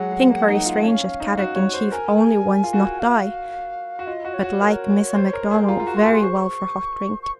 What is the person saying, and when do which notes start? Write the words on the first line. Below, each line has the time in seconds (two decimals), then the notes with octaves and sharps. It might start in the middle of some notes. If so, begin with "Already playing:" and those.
Think very strange that Kadok and Chief only ones not die, but like Missa McDonald very well for hot drink.
Already playing: F#3 G#3 F#5
0.12 G#3
0.30 A#3
0.48 D#4
0.66 F4
0.84 C#4 F5
1.20 D#4
1.37 F#4
1.56 C#5
1.74 C5
1.92 A#4 G#5
2.18 G#4
2.64 F4
2.73 F#4
2.99 F5
3.99 F#4
4.07 F4 D#5
4.25 F#4
4.34 C#5
4.43 F#4
4.61 A#4
5.15 C5
5.33 A#4
5.51 G#4
5.62 C6
5.68 F4 A#5
5.80 F4
5.87 F#4
5.96 C6
6.05 G#4
6.13 C6
6.23 C5 C#6
7.22 C#6